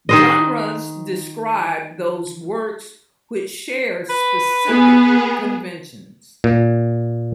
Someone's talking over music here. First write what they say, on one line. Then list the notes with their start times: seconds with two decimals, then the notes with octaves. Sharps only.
Genres describe those works which share specific conventions.
0.09 D#3 C5 D#5
4.10 B4
4.68 B3 G#4
6.44 A#2